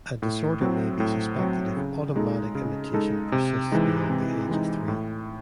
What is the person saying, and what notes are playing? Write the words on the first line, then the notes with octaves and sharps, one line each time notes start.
A disorder may be suspected if automatic imitation persists beyond the age of three.
A2
F#3 C4
A2
F#3 C4
C#3
G#3 D#4 A4
C#3
G#3 D#4 A4
C3
E3 G#3 D#4
C3
E3 G#3 D#4
A2